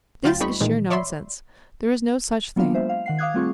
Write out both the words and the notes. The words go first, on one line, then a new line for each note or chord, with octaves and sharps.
This is sheer nonsense: there is no such thing.
D2 F#3 F4 G5 A6
G3 A3 C4 D#4 B5 C#6
A#2 D#3 E3 G#3
C#5 D5 E5 B5 C6
F#3 A#3 B3 D4 F4 F5
G#3 C5 E5
F5
D#3 F#5 C7
F5 D6 D#6 F#6 G#6
G3 A3 C4 F4 G#4 C#6